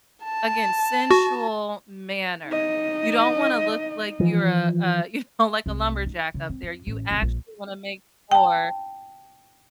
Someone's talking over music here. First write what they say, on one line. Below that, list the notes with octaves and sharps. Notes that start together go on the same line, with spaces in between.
again, sensual manner. You don't wanna look like you're a a you know, like a lumberjack up there you actually wanna make more.
A5
F#4
D#4 D#5
E3 F3
C2
D#4
C#3
C4
F2
A1
C2
A#1
G5 A5